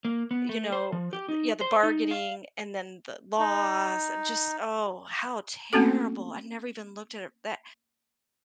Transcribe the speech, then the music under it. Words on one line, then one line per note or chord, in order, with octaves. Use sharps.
you know, eh, the yeah, the bargaining and then the loss, and just Oh, how terrible, I never even looked at it that
A#3
B3
A3
C5
F3
G4
D#4
C5
D#4
F5
D#4
A3 A#3 C4 C#4 F#4 A4